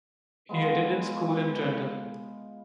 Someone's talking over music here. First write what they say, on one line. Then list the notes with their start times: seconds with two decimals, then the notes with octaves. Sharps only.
He attended school in Trenton.
0.49 G#3 B3 F4